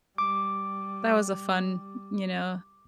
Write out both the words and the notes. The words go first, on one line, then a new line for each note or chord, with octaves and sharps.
that was a fun, you know,
G3 D6